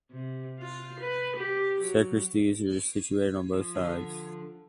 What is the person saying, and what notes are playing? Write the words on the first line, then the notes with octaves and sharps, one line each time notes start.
Sacristies are situated on both sides.
C3
F4
B4
G4
F#3
F3
D3